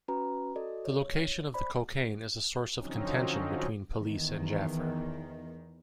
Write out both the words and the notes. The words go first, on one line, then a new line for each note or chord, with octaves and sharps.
The location of the cocaine is a source of contention between police and Jaffer.
C#4 F#4 B4 A#5
F#4 A4 D5 D#5
C#5
C5 D5 B5
D3 F3 F#3 C4 C#4 D#4
E2 D#3